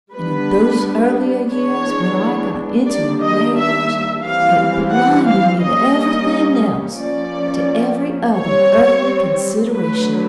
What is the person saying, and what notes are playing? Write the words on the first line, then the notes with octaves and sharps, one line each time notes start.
And in those earlier years, when I got into a rage, it blinded me to everything else, to every other earthly consideration.
G3 B3 D4 B4
E3 G#3 B3 D4 C#5
D#3 G3 A#3 D4 D5
D#5
E5
E3 G3 C4 F5
F#5
F5
G3 A#3 C#4 D#5
F3 A#3 C#4 D5
G3 C4 C#5
D3 F#3 A3 B4